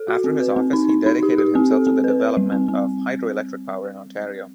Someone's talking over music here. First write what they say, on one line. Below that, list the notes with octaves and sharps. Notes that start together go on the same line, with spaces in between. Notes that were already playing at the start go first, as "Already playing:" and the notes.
After his office he dedicated himself to the development of hydro-electric power in Ontario.
Already playing: A4
F#4
C4
B4
C4
D#4
D#4
D#4
G4
G4
C4
A4
C4
B4
B4
G3
C4
C4